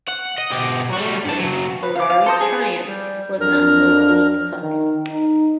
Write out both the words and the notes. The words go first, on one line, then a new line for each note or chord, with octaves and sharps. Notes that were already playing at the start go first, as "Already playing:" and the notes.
However, Ferrari's triumph was not so clean-cut.
F#5
D#5
B2 G4
G3 F#4
G2 A5
C#3 F#3
B4
F5 D6
F5
A4 C5 D#5
G#4
G3
F2 F#3 D4 A#4
D#3
D#4